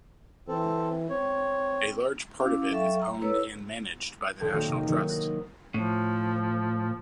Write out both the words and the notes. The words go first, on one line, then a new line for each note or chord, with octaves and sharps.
A large part of it is owned and managed by the National Trust.
E3 C4 A4
C4 C#5
C#4 E4 F5 D6
F#3 A4 E5 F5 G5 C#6
A#5
E4 A4 B4 C#5 E6
D#1 B1 A4 B4 G5 C6
D#3 A#3 C4 F#4 D#5
C3
D#3 F#3 E4
D#6 F#6 A#6
A2 F3